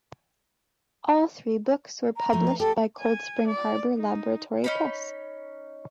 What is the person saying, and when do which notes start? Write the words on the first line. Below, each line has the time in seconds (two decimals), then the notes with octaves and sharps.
All three books were published by Cold Spring Harbor Laboratory Press.
2.17 A#5
2.33 F3 A3
2.47 B4
2.60 G4 A4
3.00 G#5
3.48 D5
3.97 D#4
4.64 C#4 D#4 B5